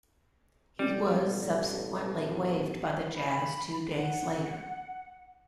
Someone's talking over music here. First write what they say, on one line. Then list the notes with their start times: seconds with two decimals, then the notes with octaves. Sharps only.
He was subsequently waived by the Jazz two days later.
0.79 A1 B2 G3
3.17 B5
3.91 F#5